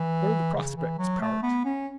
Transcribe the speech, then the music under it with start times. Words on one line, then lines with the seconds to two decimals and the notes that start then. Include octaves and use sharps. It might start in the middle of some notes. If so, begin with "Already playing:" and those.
"What are the prospects, Powart?"
Already playing: E3
0.54 C#3
0.77 E3
0.99 F#3
1.21 A3
1.43 B3
1.65 C#4